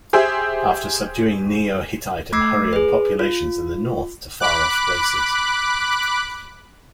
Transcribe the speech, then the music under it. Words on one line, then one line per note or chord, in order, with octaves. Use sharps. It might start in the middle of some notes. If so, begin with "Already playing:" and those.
After subduing Neo-Hittite and Hurrian populations in the north to far-off places.
G4 G#4 C5 E5 G#5
A3 D6 E6 G#6 C7
G#4 B4
F4
B5 D6 F#6